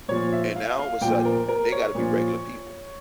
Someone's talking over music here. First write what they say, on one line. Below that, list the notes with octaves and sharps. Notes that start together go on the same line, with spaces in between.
and now, all of a sudden, they gotta be regular people,
A#2 F3 C#5
E5
F5
F5
A#2 F3 G5
A#4
A#4
C#5
A#2 F3